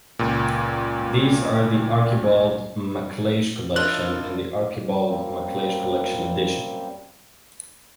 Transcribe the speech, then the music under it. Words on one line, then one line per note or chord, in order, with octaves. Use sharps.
These are the Archibald MacLeish Collection and the Archibald MacLeish Collection Addition.
C#2 A#2
A2 D4 F4 A#4 D#5 F#6
F#2 G3 A#3 C4